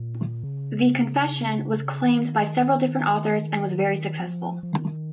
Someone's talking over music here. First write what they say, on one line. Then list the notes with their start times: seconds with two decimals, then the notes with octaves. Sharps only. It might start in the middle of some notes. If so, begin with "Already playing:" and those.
The "Confession" was claimed by several different authors and was very successful.
Already playing: A#2
0.43 C#3
2.04 D#3
4.19 F3
4.63 F3
4.72 D#3